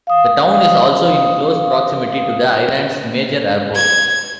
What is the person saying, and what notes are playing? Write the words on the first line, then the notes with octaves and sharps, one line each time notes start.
The town is also in close proximity to the Island's major airport.
F5 D#6
G#6